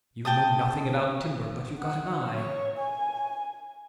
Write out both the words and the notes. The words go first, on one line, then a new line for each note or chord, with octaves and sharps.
You know nothing about timber, but you've got an eye.
G5 A5 D#6
F#5
C#5
G#5